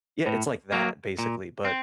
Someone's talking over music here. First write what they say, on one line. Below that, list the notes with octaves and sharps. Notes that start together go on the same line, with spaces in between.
Yeah, it's like that, basically, but
A2
F#3 A#3
A#2
C4